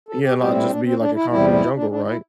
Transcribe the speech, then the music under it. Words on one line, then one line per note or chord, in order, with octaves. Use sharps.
yeah, not just be, like, a concrete jungle, right,
A4
G4
A2 G3 C4 G4
E4
D4
C4
D4
E4
E2 C3 G3 E4
E4
D4
D4
E4